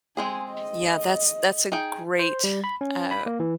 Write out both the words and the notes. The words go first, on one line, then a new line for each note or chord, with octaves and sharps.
Yeah, that's that's a great, uh,
G#3 C4 G#4 G#5
D#5
D#4 G#4 G5
C5
G3
B5
C#4
B5
A#3
E3